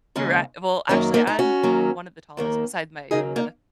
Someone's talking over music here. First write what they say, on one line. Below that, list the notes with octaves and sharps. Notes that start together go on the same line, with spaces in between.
Righ well, actually, I'm m one of the tallest besides my the
D#2 C#3 G#3 C#4
F#2 D#3 F#3 A#3 C#4
A#3 D#4
D#4
C#4 F#4
D#2 D#3 F#3 A#3
D#2 D#3 A#3
D#2 C#3 F#3 A#3 D#4 G#4
A#3 D#4